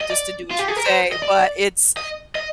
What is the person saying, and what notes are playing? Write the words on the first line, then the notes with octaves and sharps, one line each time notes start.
just to do what you say, but, it's
D#5
D5
F4
G4
G#4
A#4
C5
D#5
D5
D#5
D#5